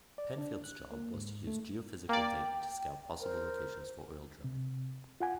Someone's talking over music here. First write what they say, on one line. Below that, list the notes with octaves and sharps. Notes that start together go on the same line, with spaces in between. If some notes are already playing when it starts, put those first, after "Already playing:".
Penfield's job was to use geophysical data to scout possible locations for oil drilling.
D5
D4
F#6
A#3
G#2
A3
A#3 D5 G5
A#4 C5
C3
F4 F#5 G#5